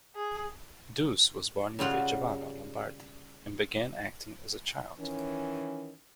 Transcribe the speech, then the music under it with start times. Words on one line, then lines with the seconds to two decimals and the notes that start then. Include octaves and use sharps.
Duse was born in Vigevano, Lombardy, and began acting as a child.
0.16 G#4
1.79 C#3 G3 F4 F#5
4.99 D#3 E3 C#4